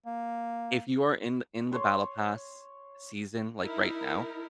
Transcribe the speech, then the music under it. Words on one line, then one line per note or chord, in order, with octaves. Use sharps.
If you are in th in the BattlePass season, like, right now,
A#3
C#5 C6 C#6
D#4 E4 A#4